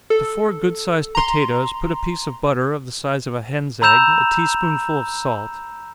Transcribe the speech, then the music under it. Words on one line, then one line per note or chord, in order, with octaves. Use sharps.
To four good-sized potatoes, put a piece of butter, of the size of a hen's egg, a tea-spoonful of salt.
A4
A#5 C6
A#5 B5 E6 G6 E7 F7